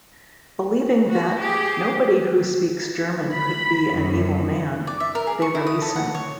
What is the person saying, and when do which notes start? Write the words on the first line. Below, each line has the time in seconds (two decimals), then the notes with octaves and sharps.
Believing that "nobody who speaks German could be an evil man", they release him.
1.09 F#4
1.40 G4 G#4
3.34 B5
3.93 F#2
4.87 D5
5.00 E5
5.15 A#4
5.27 G#4
5.42 C#6
5.55 E4
5.67 D#6
5.82 A4
5.96 F#5
6.15 C#5